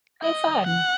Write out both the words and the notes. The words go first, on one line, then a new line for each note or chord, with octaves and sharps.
Oh fun.
D#5
F#5